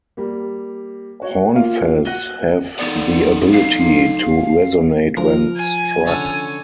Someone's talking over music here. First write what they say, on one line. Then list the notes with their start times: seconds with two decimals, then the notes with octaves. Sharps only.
Hornfels have the ability to resonate when struck.
0.17 G3 A#3
1.22 F#4 C#5
1.55 A#3 F4 F5
2.05 F#4 F#5 F#6 A#6 D#7 G7
2.79 B3 D#4 A4 D5
3.52 F5
5.17 F3 A#4
5.56 G#5
6.06 D3 C#4 A5